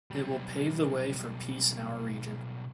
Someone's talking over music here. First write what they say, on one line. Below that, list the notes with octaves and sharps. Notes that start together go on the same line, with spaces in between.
It will pave the way for peace in our region.
B1 G3